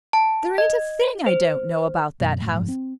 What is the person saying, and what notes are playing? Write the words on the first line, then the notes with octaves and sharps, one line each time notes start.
There ain't a thing I don't know about that house.
A5
D#5
C5
F#2 B2
F#1 A2
F#1 G#2 F3
C4